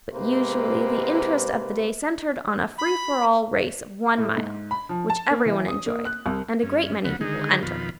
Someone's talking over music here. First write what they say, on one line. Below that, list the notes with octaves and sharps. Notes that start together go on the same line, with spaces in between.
But usually the interest of the day centered on a free-for-all race of one mile, which everyone enjoyed, and a great many people entered.
G#2 C3 G#3 A#3 B4 C5
B5
A2
G#2
B5
F3
A5
A#3
E3
D#6
A#3
F#6
C2
G2 C#4
D2 C#3 F3 F#3 F#5 B5
D3 D#3 G#3 D#4 G#4
F2 B2 D#3 F4 B5